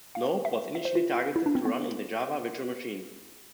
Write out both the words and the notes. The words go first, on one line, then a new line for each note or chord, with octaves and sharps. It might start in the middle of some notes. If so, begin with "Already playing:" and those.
Noop was initially targeted to run on the Java Virtual Machine.
F5
E5
E5
C5
F4
E4
D4
C4
B3